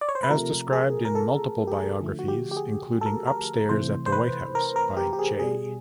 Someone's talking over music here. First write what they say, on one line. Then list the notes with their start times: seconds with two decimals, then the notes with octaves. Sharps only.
As described in multiple biographies, including "Upstairs at the White House" by J.
0.01 D5
0.09 C#5
0.15 C5
0.23 B4
0.30 C3 F3 A3 A#4
0.73 G#4
1.05 A#4
1.15 A4
1.67 G4
1.72 G#4
2.00 D3 F3 A3
2.19 F#4
2.28 G4
2.51 G4
2.57 G#4
3.01 A4
3.06 A#4
3.27 A#4
3.69 C3 E3 A3 C5
4.06 C5
4.12 B4
4.55 A#4
4.76 A#4
4.97 G4
5.13 G4
5.19 G#4
5.39 B2 G3 G#4